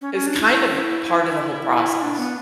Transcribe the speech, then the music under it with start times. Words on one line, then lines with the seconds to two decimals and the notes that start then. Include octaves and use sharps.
is kind of a part of the whole process.
0.02 C#4
0.14 C#4
0.27 D4
0.39 E4
0.51 E4
2.02 D4
2.18 B3